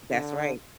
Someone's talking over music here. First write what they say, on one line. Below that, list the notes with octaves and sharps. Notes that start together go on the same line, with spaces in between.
That's right.
D3